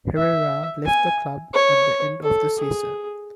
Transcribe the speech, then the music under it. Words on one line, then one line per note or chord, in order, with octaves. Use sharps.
Herrera left the club at the end of the season.
E5
G#5
C#5
A4
G#4